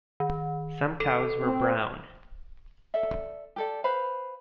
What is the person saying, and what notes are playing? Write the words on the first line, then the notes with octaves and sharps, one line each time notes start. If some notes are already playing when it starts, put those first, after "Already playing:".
Some cows were brown.
D#3
A4
C4
A4 D5 E5
G4 A4 D5
B4 C5 F5 B5